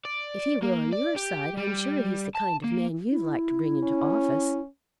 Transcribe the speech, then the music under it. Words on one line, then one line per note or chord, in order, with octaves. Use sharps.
If he were on your side I'm sure he's the kind of man you'd like to bring into office.
D5
A#3
D5
G4
G3
A5
A#3
E4
C#4